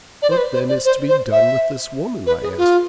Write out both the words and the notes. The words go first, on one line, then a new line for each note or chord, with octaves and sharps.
"What, then, is to be done with this woman?" I asked.
D5
C5
B4
C5
D5
C5
C5
E5
B4
G#4
F4